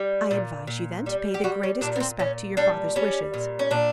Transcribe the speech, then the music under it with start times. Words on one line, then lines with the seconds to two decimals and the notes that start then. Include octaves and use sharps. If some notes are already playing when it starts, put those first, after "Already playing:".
"I advise you then to pay the greatest respect to your father's wishes."
Already playing: G3
0.31 A#2
0.67 A#2
1.06 G3
1.34 G4
1.44 G3 F#4
1.63 C#4
1.81 A#2 D4
1.96 B3
2.00 C4
2.19 A#2 C#4
2.57 G3 D4
2.96 G3 C#4
3.34 A#2
3.59 C#4
3.71 A#2 D4